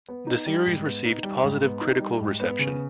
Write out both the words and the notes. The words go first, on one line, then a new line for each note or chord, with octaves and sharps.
The series received positive critical reception.
B3
D#4
G3
G#2
B3
D#4
G3
G#2
B3
D#4
G3
G#2
B3
C#3